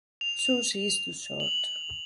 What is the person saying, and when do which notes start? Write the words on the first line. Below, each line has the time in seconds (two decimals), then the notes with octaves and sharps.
Susi is too short.
0.21 F7
0.39 F7
1.40 F#7